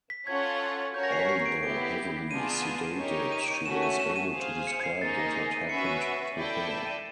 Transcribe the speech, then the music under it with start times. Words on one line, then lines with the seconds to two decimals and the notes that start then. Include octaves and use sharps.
Although heavily sedated, she was able to describe what had happened to her.
0.10 B6
0.27 C#4 F4 A4 C#5 F#5 G#6
0.94 C#4 F#4 A#4 C#5 G6
1.03 A#6
1.12 C7
1.20 B6
1.29 C7
1.46 D7
1.62 B3 E4 G4 D7
2.30 B3 D4 F4 G#4 D#7
2.47 E7
2.64 D#7
2.97 D#4 G4 A#4 C#5
3.32 D#7
3.54 D#7
3.66 A3 C#4 F#4 E7
3.83 D#7
4.00 E7
4.16 D#7
4.33 G#4 C5 F5
4.67 C#7
4.84 C7
5.01 A#3 D#4 G#4 C5 A6
5.18 A#6
5.36 C7
5.52 D#7
5.69 C#4 F#4 B4 E5 C#7
5.86 D#7
6.37 E4 A4 D5 G5
6.71 E7
6.87 D#7